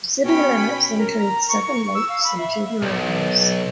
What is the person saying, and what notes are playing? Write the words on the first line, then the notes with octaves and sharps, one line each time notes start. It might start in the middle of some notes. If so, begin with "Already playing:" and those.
The city limits include seven lakes and two marinas.
B2 C#4 G5 B5
A#4
A#5
C#6
E6
F5
B5
E5
B1